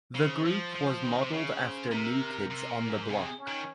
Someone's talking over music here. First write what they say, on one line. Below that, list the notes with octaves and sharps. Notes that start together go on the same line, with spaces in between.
The group was modeled after New Kids on the Block.
C#3 C5
F3
F3
D#3
C3
C#3 C#5
C5
C3 A#4
C3
A#2
G#2
C3 G#4
C#4
D#3